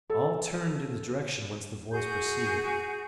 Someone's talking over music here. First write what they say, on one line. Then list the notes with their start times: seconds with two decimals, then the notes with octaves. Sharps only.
All turned in the direction whence the voice proceeded.
0.10 A4
1.92 F#4 G#4 G6